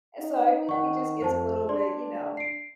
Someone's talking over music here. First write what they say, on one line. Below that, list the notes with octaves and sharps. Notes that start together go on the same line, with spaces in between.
So, I feel like it just gets a little bit, you know,
D#4
D#3 F#5 C#6
F2 C5 A5
D4 D5 C6
C7 D7